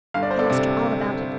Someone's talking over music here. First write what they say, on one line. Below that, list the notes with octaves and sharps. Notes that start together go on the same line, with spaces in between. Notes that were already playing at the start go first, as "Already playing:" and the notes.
I asked her all about it.
G1 F5
D5
C5
A4 D5
C3